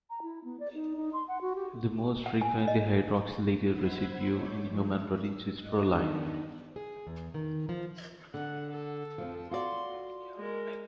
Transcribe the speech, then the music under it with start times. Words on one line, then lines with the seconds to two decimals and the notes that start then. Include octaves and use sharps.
The most frequently hydroxylated residue in human proteins is proline.
0.10 A#5
0.22 E4
0.44 B3
0.60 D5
0.74 D#4
0.96 D#4
1.13 C6
1.28 F#5
1.41 F#4
1.56 G4
2.26 F#5
2.41 G#5
2.68 D#5
3.70 C5 F#5 B5 C6 E6 G#6
4.30 A3 C#5 D6 G6
4.64 G2 F3 G#3
5.05 E6
5.53 G2 D#5 F#6
5.86 D#3 B3 D4 D#4
6.76 G#4
7.07 E2
7.34 D#3
7.69 F3
8.34 D3 F#5
8.70 A4
9.18 F2 F3
9.51 F4 F#4 D5 C6
10.37 G#3 A#4